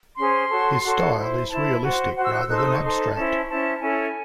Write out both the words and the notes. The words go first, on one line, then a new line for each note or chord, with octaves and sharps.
His style is realistic rather than abstract.
C#4 G#4 C5 C6
F#4 A4 C#5
F#4 A4 C#5
E4 C5
E4 C5 A5
F#4 C5
F#4 C5 F#5
E6
F#6
E6
D#4 A4 C5 F#6
E6
D#6
C#6
D#4 A4 C5 C6
C#4 E4 C5 A5
C#4 E4 C5 A5
C#4 E4 A4 C#5 G#5